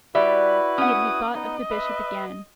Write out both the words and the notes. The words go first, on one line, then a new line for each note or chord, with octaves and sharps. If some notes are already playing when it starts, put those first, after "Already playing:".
Yet he thought of the bishop again.
G3 E4 F#4 B4 D5 E5
C#4 F#5 D#6
B3 D#4 D#5
B4 E5